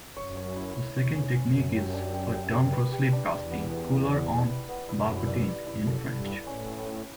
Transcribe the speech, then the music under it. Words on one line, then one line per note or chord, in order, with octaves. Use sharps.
The second technique is a term for slipcasting, "couler en barbotine" in French.
F#2 C#5
C#5
E4
C#5
E2 C#5
C#4
F#2 C#4
C#5
G4
D4
G4
G4
G4
B4
G4
D4
E2 B4
B3
B3
D5
D5
E4
B4
B3
F#2 E4
E4
D5
D5
F#2 E4
A4
G2 E4
E4
A2 C#4
C#4
C#4